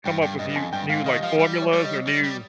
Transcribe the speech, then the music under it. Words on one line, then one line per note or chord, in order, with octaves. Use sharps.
come up with you new like formulas or new
G2 G5
G2 G5
G2 D#5
G2
F2 G#5
G2 G5
G#2 F5
D#3 D#5
F3 F5
G3
C#5
G3
D#5
G3
G3